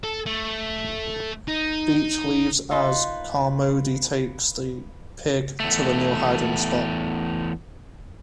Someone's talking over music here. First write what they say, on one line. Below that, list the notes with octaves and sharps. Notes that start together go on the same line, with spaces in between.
Beach leaves, as Carmody takes the pig to a new hiding spot.
A4
A3
D#4
D#4 F4 B4 C5
E2 A3